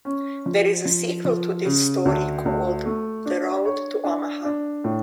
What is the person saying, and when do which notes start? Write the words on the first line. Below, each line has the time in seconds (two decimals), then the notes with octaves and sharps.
There is a sequel to this story called "The Road to Omaha".
0.05 C#4
0.46 F3
0.85 F3
1.25 F3
1.65 C#3
2.05 D2
2.45 D2
2.86 A3
3.26 D4
3.65 C#5
4.04 D4
4.45 D4
4.84 A2